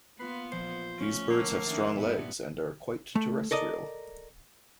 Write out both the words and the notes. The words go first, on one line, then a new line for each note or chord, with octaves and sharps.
These birds have strong legs and are quite terrestrial.
A#3 B3 F4 B4 C7
A#1 F3 C5
A3 C#4
A#3 F#5 A5 E6
D#3 C#4 D4 E5
G2 A#2 B3 E4
A3
A4 A#4 D5 D#5